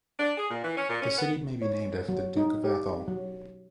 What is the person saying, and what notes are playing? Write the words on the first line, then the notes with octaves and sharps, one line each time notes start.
The city may be named after the Duke of Atholl.
D4
G#4
A#2
E3
C#4
A#2
C#4
B3
C#5
F#3
D#4
G4
F#3